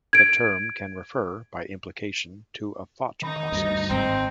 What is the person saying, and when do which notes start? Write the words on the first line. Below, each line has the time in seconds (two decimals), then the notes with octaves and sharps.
The term can refer, by implication, to a thought process.
0.13 G#6 D7
3.22 D#3 D#4 B5
3.52 D2 G2
3.90 G#1 C4